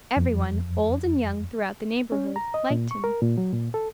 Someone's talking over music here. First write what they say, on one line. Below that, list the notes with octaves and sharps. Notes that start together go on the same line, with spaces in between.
Everyone, old and young throughout the neighborhood, liked him.
F2
C#4
A#5
D#5
A#2
C#6
A#4
A#2
F#3
A#2
A4